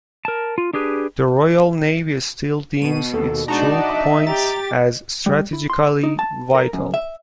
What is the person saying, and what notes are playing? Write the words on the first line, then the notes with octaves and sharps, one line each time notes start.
The Royal Navy still deems its choke points as strategically vital.
A#4 A5
F4
D4 G4 G#4 B4
B2 D#7
D#2 A4
G#3 D4 D#4 F#4 D5 A5
D#5 E5
G4 A#5 A6
G3
E4
C6
D#4
A5
A#4
F#2
E5